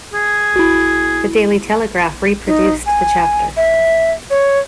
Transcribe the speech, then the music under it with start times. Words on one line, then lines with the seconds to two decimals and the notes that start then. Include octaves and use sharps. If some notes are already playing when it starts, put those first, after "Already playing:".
The "Daily Telegraph", reproduced the chapter.
0.14 G#4
0.56 E4 F#4
2.47 D#4
2.86 G#5
3.57 E5
4.30 C#5